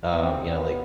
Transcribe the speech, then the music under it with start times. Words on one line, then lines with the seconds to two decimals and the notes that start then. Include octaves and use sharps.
um, you know, like
0.12 B3
0.23 C4
0.46 C4
0.51 B3